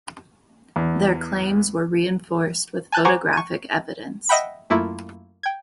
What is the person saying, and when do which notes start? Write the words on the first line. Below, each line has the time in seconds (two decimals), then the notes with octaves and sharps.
Their claims were reinforced with photographic evidence.
0.76 E2
2.92 G#5 A5 F#6 G6 A6
3.05 C5 F#5 G#5 A#5 C#6 D6
3.33 C#6 D#7
4.29 D#5 E5 F#5 G5 B5
4.70 F#2 A3 A#3 E4 F4
5.43 G5 G#6